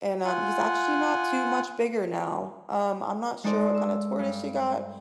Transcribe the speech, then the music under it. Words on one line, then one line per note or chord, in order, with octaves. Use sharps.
and, um, he's actually not too much bigger now. Um, I'm not sure what kinda tortoise she got,
F4 F#5 G#5
G#3 D#4 A4 C5 D5
E6
G2